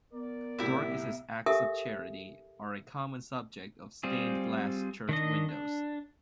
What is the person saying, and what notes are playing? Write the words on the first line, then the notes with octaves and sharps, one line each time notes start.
Dorcas' acts of charity are a common subject of stained glass church windows.
B3 A#4 D5
C2 A2 E4 G4 E5
G4 A4 A#4 E5 G#5 D#6
G3 C4 F4 G#4
D#3 D4 D#5
D4